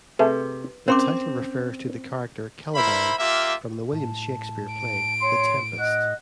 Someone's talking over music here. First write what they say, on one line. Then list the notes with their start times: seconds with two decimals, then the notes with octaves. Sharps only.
The title refers to the character Caliban from the William Shakespeare play "The Tempest".
0.19 C3 A3 G#4 B4
0.88 A#3 C4 C#4 C5 C6 D6
2.75 E4 A#4 C5 E5 B5
3.19 A#3 F4 G4 E5
3.93 A2 A5
4.74 D7
5.21 C#5 C6
5.79 D#5 F#5